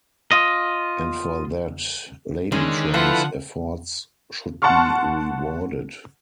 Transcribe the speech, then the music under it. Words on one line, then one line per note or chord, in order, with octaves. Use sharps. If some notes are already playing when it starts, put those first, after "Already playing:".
And for that, Ladytron's efforts should be rewarded.
F4 D#5
D3 D#3 G#3 C#4
F3 E4 F4 A4 B4 F#5
F#5 A5 C6 C#6 F6